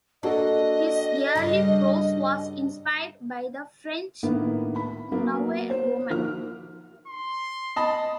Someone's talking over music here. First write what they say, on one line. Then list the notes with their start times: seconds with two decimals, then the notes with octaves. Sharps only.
His early prose was inspired by the French nouveau roman.
0.23 A#3 D4 F#4 A4 D#5
1.35 G2 C#3 G3
4.23 A2 D#3 A#3 B3 D4 E4
4.76 B5
5.12 F#3 A#3 B3
5.70 C5
6.10 F3 A#3 D#4 F#4 F6
7.08 C6
7.76 D#5 A5 B5